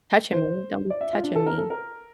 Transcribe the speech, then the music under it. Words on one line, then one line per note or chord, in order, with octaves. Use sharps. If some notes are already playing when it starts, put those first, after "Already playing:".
touching me. Don't be touching me.
C5
D5
E5
F4
D4
A4
A#4
A4
A#4